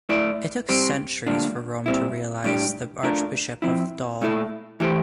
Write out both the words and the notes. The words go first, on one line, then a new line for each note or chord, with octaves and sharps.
It took centuries for Rome to recognize the Archbishop of Dol.
A3 E4 A4 D5
G3 C4 G4 C5
D3 G3 A#3 D4 F4
A#2 G3 C4 E4
A2 G3 D4 G4
A3 D4 F4 A#4
F3 C4 E4
A#2 A3 E4 A4
E3 A3 E4 G4 C5